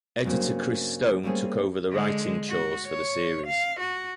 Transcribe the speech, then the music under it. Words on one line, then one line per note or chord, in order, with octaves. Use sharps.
Editor Chris Stone took over the writing chores for the series.
G2 C#3 F#3 A#3 C4
G3 A3 A#3 C4 C#4 G#4
D3 G#3
F#4
C#5
F5
F#4